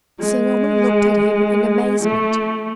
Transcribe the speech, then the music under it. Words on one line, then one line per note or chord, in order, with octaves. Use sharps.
Sir Norman looked at him in amazement.
G#3
A3